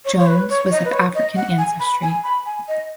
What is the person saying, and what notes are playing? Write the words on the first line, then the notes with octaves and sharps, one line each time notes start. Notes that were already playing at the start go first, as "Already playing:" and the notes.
Jones was of African ancestry.
C#5
C#5
B4
C#5
D#5
B4
C#5
D#5
F#5
G#5
B5
G#5
B5
G#5
D#5